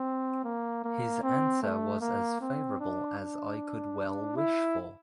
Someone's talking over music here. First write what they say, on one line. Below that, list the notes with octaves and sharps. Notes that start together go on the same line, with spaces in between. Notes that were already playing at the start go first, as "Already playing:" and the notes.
His answer was as favorable as I could well wish for.
Already playing: C4
A#3
A#3
C4
A3
A#3
C4
D4
D4
E4